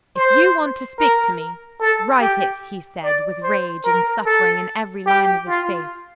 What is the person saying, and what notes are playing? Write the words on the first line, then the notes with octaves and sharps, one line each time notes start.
"If you want to speak to me, write it!" he said, with rage and suffering in every line of his face.
C5
A#4
A4
G4
D5
C5
A#4
A4
G4
F4